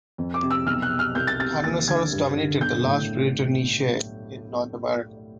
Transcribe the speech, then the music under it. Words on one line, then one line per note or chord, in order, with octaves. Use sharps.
Tyrannosaurs dominated the large predator niche in North America.
F2
D6
C3
E6
B1 F6
F#6
B2
F6
C2 G6
A6
C3 A6
D#2 A6
D3 G#6
G2
D3
B1 G6
A2